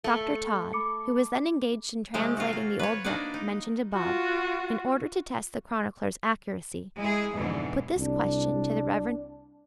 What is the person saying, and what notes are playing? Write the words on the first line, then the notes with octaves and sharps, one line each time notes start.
Dr. Todd, who was then engaged in translating the old book mentioned above, in order to test the chronicler's accuracy, put this question to the Rev.
A3
B5 D6 C#7
C3 F3 G#3 A3 E5
F4 F#4
A#3
B4 C#5
A#3 D4 D#4 F#4 B4 D5
D#4
F4 F#4
G#3 E4 G#4
F2 G#2 B2 D3 E3
C2 D4